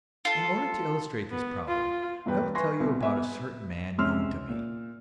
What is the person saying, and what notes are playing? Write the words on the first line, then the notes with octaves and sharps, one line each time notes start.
In order to illustrate this problem, I will tell you about a certain man known to me.
F4 A4
B3
F4
E1 G2 B4 G5
B4 G#5 C6 C#6 A#6
C2 B2
B3 E5 G#5
G#2 C3 C#4 C6 E6 F6
A#2